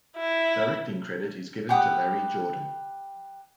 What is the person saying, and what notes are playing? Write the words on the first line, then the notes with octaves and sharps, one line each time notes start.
Directing credit is given to Larry Jordan.
E4
G4 B4 F#5 D#6